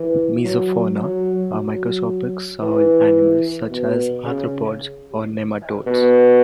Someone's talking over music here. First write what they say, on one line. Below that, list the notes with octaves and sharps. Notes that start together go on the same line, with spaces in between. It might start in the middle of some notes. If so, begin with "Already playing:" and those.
"Mesofauna" are macroscopic soil animals such as arthropods or nematodes.
Already playing: E3
F#3
F#3
F#3
E3
B2
C#3
B2